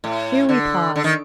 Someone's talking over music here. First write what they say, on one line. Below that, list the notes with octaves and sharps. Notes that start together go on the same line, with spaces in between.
Here we pause.
A2
D3
D3
D#3